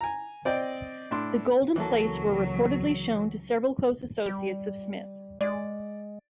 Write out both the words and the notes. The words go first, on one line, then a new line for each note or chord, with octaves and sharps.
The golden plates were reportedly shown to several close associates of Smith.
G#5 A#5
C4 D5 D#5 G5
A2 D4 C6
C#2 C#3 E3 F#3 A#3 A4
G3
G#3 D5